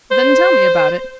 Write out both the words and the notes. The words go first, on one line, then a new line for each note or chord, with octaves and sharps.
"Then tell me about it."
C5